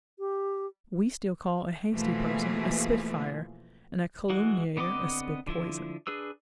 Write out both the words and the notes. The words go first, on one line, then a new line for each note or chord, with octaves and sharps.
We still call a hasty person a "spitfire", and a calumniator a "spit-poison".
G4
B2 E3 F3 A3 A#3 G#4
E3 G#3 F#4
D3 B3 C4 D#5 D6
D3 F3 E4
D4 G#4 B4 E6